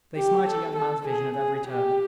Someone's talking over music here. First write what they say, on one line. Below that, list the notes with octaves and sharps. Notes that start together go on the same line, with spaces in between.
They smite a young man's vision at every turn.
G4
A4
A4
G#4
G#4
G4